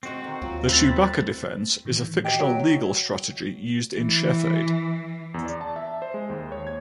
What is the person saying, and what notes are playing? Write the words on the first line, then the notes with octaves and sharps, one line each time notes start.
The Chewbacca defense is a fictional legal strategy used in "Chef Aid".
D3 G#3 A3 C4 F#4
D#3
D#2 F#3 F4
F#2 A3 C4 B4 A6
A2 D#3 E3
F#4 G4 D#5 G5
F#3
E3
E2
D5
A5
E5
C5
G#3
D#2
C#5
G#6